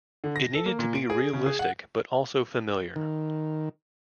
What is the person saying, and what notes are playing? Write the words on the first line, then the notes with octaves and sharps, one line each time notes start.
It needed to be realistic but also familiar.
D3
A#6
A4
A#3
A#2
D7
G#4
C#3
G#4
F#5
D#3